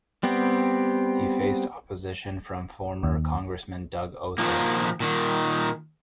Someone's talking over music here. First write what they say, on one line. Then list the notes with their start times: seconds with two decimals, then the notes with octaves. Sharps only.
He faced opposition from former Congressman Doug Ose.
0.23 G3 B3 C4 G4
3.03 D#2
4.38 A#2 D#3 F3 A#3
5.00 A#2 D#3